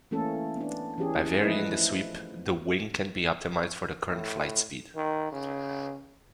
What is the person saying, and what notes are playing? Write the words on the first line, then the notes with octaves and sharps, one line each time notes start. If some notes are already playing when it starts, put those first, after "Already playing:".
By varying the sweep the wing can be optimised for the current flight speed.
E3 A3 A#3 C#4 A4
B3 D4
E3 C#4 G4 G#4
F3 A3 E4 B4 D#5
A2
D#3
C#3